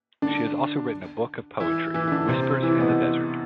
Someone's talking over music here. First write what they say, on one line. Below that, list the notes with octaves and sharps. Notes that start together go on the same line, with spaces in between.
She has also written a book of poetry, "Whispers in the Desert".
D3 D4
E3 E4
E3 E4
E4
D3 D4
C3 C4
E3 E4
B2 B3